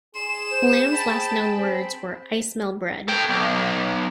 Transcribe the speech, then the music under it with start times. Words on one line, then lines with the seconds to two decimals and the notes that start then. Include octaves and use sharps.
Lamb's last known words were I smell bread.
0.15 G#4 C6 E7
0.51 C5
0.92 G5 A5 B5
1.56 C4
3.08 A4 G5
3.30 B1